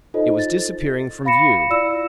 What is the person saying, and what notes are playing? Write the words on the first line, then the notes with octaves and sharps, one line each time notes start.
It was disappearing from view.
D#4 F4 A4 C5 C#5 D#5
A6
F5 B5 A#6 C#7 E7
E4 F4 D5 E6 E7